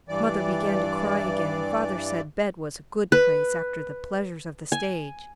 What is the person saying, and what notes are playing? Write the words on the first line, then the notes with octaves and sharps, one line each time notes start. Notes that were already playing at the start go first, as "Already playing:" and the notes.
Mother began to cry again, and father said bed was a good place after the pleasures of the stage.
G2 E3 D5
B4
G#5